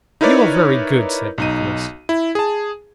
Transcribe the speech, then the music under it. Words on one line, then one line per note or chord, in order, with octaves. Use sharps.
'You are very good,' said Nicholas.
D#4 E4 A#4 B4 C#5 D5
B1 D#4 D#7
E4
G#4 A5